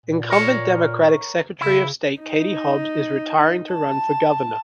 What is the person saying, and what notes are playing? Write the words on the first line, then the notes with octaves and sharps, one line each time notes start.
Incumbent Democratic Secretary of State Katie Hobbs is retiring to run for governor.
A#2
A#4 C#5
C#3 E4
D#4
A5